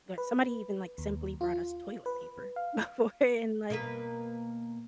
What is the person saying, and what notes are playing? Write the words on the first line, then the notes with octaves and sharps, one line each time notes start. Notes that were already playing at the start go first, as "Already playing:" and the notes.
but, somebody even, like, simply brought us toilet paper before and, like
B4
D#2
F4
B4
F5
B2 A#3 B4